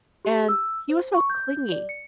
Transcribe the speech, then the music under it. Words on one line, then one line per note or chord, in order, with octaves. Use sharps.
and he was so clingy.
G4
E6
C5
C#6
G6
D5
C#7